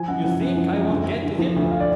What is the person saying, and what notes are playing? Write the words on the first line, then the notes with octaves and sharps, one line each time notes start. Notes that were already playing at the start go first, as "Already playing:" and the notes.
You think I won't get to him?
Already playing: F3 G#5
F#2 F#5
F3 F#5
F#2
F3
F#2
D2
D2
D3
F3
D2
F5
D5